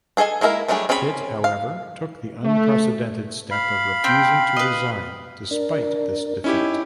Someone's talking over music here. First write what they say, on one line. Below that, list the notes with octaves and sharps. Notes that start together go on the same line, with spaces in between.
Pitt, however, took the unprecedented step of refusing to resign, despite this defeat.
D4 G#4 A4 D#5 G#5
G#3 A#3 E4 G#4 A#4
F#3 G3 A3 D4 G#4
C4 C#4 G#4 A#4 B5
F5
A3
F5 B5
C4 G5
B4 D#5
D4 A#4
C#4 D#4 E4 G4